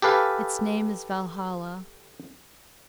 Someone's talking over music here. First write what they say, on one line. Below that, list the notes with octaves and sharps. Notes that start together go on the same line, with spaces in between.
Its name is Valhalla.
G4 A4 B4 F5 G#5